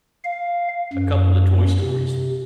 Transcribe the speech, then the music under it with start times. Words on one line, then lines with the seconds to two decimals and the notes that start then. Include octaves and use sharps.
a couple of Toy Stories
0.24 F5
0.93 F#2
1.80 C3